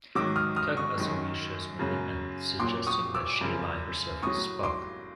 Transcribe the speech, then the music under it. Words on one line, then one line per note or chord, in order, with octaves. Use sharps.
Kirk also reassures Marlena suggesting that she ally herself with Spock.
G#2 D#3 F#3 D6 E6
D#6 F6
D#6 F6
C#6 D#6
F#2 D#3 F#3
F#2 C#3 F#3
A#2 F#3 C6 D6
C#6 D#6
D6 E6
F#2 C#3 F3
A2 F#3 C#6 D#6
C6 D6